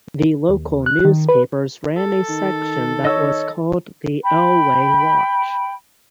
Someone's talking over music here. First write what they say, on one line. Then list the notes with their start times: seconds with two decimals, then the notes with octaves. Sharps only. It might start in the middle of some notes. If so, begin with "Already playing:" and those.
The local newspapers ran a section that was called The Elway Watch.
0.49 D#2
0.86 F#6
1.05 D#3
1.29 B4
1.97 A4
2.29 D#3
3.05 C#5 D#5 E6
4.23 G5 B5